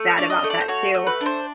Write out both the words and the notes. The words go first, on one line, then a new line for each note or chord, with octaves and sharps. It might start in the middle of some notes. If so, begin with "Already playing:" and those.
bad about that too,
Already playing: A3
C#5
D4
D#5
A3
D5
C5
F#4 C#5
A3
B4
D4
C5